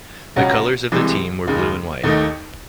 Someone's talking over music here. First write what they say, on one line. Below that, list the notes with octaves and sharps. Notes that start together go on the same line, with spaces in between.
The colours of the team were blue and white.
C#2 C#3 F#3 C#4 F#4
C2 C3 E3 G#3
D#2 C#3 G#3
D#2 D#3 A3 D#4